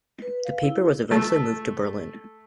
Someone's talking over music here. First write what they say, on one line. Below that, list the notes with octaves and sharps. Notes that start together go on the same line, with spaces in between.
The paper was eventually moved to Berlin.
B4
F5
E4
A3